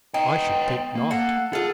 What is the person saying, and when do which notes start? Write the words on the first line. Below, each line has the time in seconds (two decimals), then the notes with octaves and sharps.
"I should think not."
0.14 B3 D#4 G5
0.95 A#3
1.11 A4 F#5
1.53 F4 G#4 A4